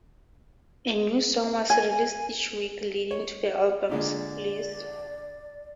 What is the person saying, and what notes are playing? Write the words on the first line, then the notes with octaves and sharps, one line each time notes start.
A new song was released each week leading to the album's release.
G#5
C#5
A#2 D3 G#3 D5